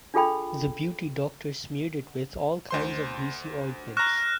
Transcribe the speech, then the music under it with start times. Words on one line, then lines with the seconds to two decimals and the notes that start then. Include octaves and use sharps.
The beauty doctors smeared it with all kinds of greasy ointments.
0.14 D4 F4 G#4 A4 G5 B5
2.71 D2 C5 C6
3.97 A#5 C#6 F6 F#6 A#6 E7